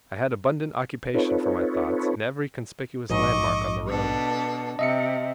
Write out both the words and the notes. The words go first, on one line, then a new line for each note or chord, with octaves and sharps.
I had abundant occupation for my thoughts, in every conspicuous landmark on the road.
C4 D#4 F4 A4 B4 C#5
A#1 G#2 D#5 C#6 D6
B2 D4 A4
C3 D#5 E5 C#7